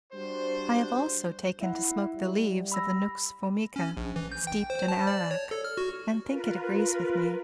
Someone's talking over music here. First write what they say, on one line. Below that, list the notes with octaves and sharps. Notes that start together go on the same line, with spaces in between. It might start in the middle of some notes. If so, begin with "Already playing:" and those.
I have also taken to smoke the leaves of the nux vomica, steeped in arrack, and think it agrees with me.
G3 D4 F#4 C5
E4 E5 F#5
G3
B5 E6 A#6
C#4
A#1
E3
G6
G5
C5
A5
D5
C#5
A4
F6
F#4
F4 A#4 B4